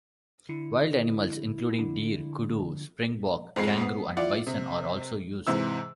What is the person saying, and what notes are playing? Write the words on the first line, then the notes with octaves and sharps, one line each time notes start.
Wild animals including deer, kudu, springbok, kangaroo, and bison are also used.
D3 E4
D3 D4
F2 G#2 G#3 C7
B3
E4 F4 D5 F#5
C3
G#2 C3 E3 E6